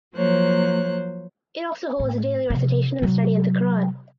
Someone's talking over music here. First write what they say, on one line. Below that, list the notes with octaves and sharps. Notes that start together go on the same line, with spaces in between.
It also holds daily recitation and study of the Quran.
F3 F#3 A#3 C5 C#5 F#6
A2
C3 F3
C3 F#3